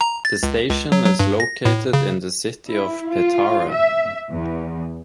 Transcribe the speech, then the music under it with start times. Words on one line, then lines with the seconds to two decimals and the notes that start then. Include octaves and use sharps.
The station is located in the city of Petare.
0.01 A#5
0.25 A6
0.43 C#2
0.70 C#2
0.92 F#3
1.06 F#3
1.19 G2
1.40 A#6
1.65 A2
1.93 C#3
2.68 E4
3.12 F4
3.71 E5
4.31 E2